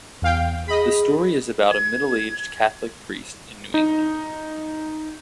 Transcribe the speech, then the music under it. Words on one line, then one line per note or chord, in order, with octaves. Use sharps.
The story is about a middle-aged Catholic priest in New England.
E2 F5 G5
G#4 D#5 B5
G#6
D#4